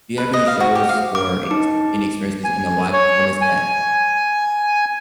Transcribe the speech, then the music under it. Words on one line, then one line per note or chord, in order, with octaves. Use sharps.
do you have any shows, or any ex any experiences in a live performance that,
B4
D#5
F5
F#4
G4
F5
D6
D#4
G#5
C#5
G#5